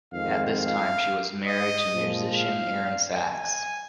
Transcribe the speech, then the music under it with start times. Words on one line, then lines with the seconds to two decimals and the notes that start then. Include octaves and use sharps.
At this time she was married to musician Aaron Sachs.
0.12 F2 D#3 G#3 F5
0.57 F5
1.47 D#5
1.92 A#2 F3 G#3
2.36 F5
3.26 G#5